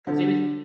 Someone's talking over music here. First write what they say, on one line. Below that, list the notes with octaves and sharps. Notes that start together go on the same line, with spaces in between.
'Cause he was
D3